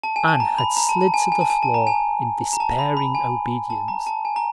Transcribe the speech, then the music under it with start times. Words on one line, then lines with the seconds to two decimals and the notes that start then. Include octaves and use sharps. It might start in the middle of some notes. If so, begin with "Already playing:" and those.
Anne had slid to the floor in despairing obedience.
0.03 A5
0.16 G#5
0.28 A5
0.40 A#5
0.58 B5
0.77 A#5
0.89 A5
1.01 A5
1.14 G#5
1.32 G#5
1.41 A5
1.50 G#5
1.62 A5
1.74 A#5
1.87 G#5
2.53 A#5
2.60 A5
2.79 B5
2.97 B5
3.15 G#5
3.70 A5
3.88 A#5
4.07 A5
4.25 G#5
4.36 A#5